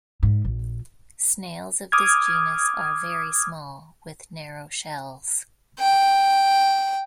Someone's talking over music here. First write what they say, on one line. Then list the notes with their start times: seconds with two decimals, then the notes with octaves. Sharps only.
Snails of this genus are very small with narrow shells.
0.23 G#2
0.44 A#1
1.92 D6 D#6 F6 G#6
5.79 G5